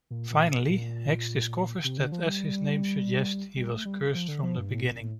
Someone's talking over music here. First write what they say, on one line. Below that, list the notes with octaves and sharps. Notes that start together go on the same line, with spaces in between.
Finally, Hex discovers that, as his name suggests, he was cursed from the beginning.
A#2
A#2
A#2
C3
D3
F3
G3
G3
A3
G3
F3
D3
F3
G2
A2
A#2
A2